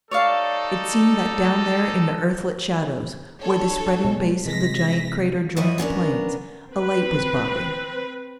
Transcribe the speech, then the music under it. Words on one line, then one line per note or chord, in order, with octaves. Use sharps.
It seemed that down there in the Earthlit shadows, where the spreading base of the giant crater joined the plains, a light was bobbing.
G3 D#4 A4 C#5 D5 F5
D4 A4 C#5
B2 G#3
C3 E3 G#3 A#6 B6
F3 F#3 E4 D#5
B3 C#4 D4 A#4
C4 B4